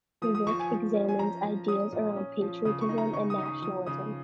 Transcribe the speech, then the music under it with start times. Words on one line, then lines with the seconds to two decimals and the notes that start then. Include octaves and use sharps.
The work examines ideas around patriotism and nationalism.
0.22 F3 D#6
0.35 D#6
0.47 F3 C#6
0.59 G#5
0.71 F3
0.95 C#4
1.08 G#5
1.19 F3 A#5
1.44 F3
1.68 C#4 D#6
1.92 A#2
2.16 C#4
2.41 F3
2.65 C#3 D#6
2.81 C#6
2.89 D#4
2.98 A#5
3.13 C#3 C#6
3.30 D#6
3.38 D#4
3.46 D#6
3.62 F3 D#6
3.86 C#3 D#6